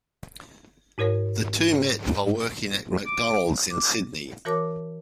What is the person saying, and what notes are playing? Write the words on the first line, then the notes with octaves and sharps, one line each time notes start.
The two met while working at McDonald's in Sydney.
G#2 E4 A#4 C#5 A#6
D6
D6
E3 F#4 A#4 C#5 A5 D6